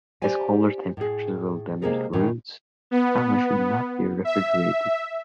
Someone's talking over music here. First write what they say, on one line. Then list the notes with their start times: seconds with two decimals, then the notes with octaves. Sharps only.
As colder temperatures will damage the roots, jicama should not be refrigerated.
0.22 G4 C5 D5 G#5
0.97 A2 G#4
1.82 C3 G#3 A#3 G#4 A#4
2.13 A2 D#3 C#4
2.91 B3
4.25 E5